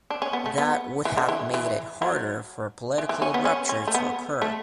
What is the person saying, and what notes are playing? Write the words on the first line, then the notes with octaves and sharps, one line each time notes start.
That would have made it harder for a political rupture to occur.
D4
C#4
B3
A3
B3
E3
D3
E3
E3
F#3
E3
E3
C#4
B3
C#4
C#4
A3
B3
A3